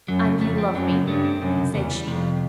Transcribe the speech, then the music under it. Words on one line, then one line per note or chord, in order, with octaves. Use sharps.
"And you love me?" said she.
F#2 F#3
C#3
F2 A3
C4
F#2 F#3
C#3
G2 A3
C4
F#2 C3
C#2
E2 E3
G3
F2 C3